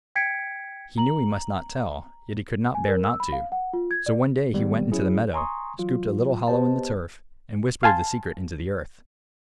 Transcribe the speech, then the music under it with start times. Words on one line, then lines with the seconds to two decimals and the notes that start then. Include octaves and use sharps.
He knew he must not tell, yet he could not bear not to; so one day he went into the meadow, scooped a little hollow in the turf, and whispered the secret into the earth.
0.15 G5 G#6 B6 C#7 D7
0.98 A#5 F#7
2.75 G#5
2.88 A#4
3.05 E6
3.20 B5
3.32 F5
3.52 F#5
3.73 F4
3.91 G#6
4.06 D5
4.54 D#3 G3 G#3 B3
4.92 F#3 C#4 E4 G#4
5.34 G#5 A#5 C6 C#6 D#6
5.79 E3 F#3 F4
6.48 B3 G4 B4 C5 D#5 A5
7.83 F5 G#5 A5 C6